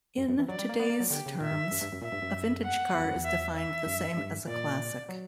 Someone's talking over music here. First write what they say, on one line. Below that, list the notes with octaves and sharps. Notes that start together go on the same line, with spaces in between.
In today's terms, a vintage car is defined the same as a classic.
F#2
F#2
E3
F#3 D5
G3
A#3
B3 D5
A#3
F#3
D3 G4
C#3
A#2 E5
G2
F#2
G2
F#2
A#2 E5
G2
F#2
F#5
E2
F#2
E2
E5
E5
F#2
G2
A#2 D5
F#3